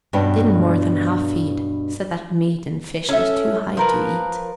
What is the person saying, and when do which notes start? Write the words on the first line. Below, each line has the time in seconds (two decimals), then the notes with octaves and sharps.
Didn't more than half feed, said that meat and fish was too high to eat.
0.13 G2 B2 B3 C#4 D4 G5
3.09 C#4 A4 E5
3.77 F3 A#4 B4